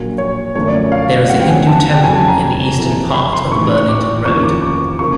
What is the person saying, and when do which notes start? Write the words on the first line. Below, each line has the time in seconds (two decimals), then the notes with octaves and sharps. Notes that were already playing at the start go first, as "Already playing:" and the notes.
There is a Hindu Temple in the Eastern part of Burlington Road.
Already playing: A#1 A#2 F#3
0.18 C#5
0.55 F#2 D3 F3 A3 C#5
0.68 D5
0.92 F5
1.29 E2 C#3 F#3 A3 C4 F#5
1.40 G5
1.48 G#5
1.67 A5
1.85 A5
1.96 G5
2.03 F2 C#3 F#3 G#5
2.16 A5
2.28 A#5
2.78 F2 C3 E3
3.14 B5
3.33 C6
3.51 A1 G#2 E3 A3 C#6
3.88 D6
4.25 F1 D#2 C#3 F3 A#3 C#6
4.43 D6
4.62 D6
4.99 C#3 F3 A#3 C#6